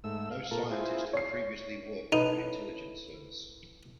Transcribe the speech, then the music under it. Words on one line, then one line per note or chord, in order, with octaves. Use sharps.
No scientist had previously worked for an intelligence service.
G#2 A3 E6
F5
A#2 F4 A4 A#4
E4 F4 G#4 C5
C#5 C7
D#4 A4 B4
E4